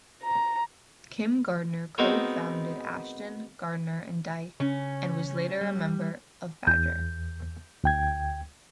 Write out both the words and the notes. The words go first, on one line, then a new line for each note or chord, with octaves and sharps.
Kim Gardner co-formed Ashton, Gardner and Dyke and was later a member of Badger.
A#5
G#3 B3 C4 D#4 F#4 A#4
C#3 C#4
G3
E2 G6
D2 G5 G#6